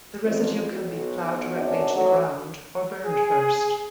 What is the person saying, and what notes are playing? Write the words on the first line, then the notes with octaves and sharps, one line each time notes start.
The residue can be ploughed directly into the ground, or burned first.
A1 F2
B1 F#4
G#1 F#2 D4
D2 F#3
G#4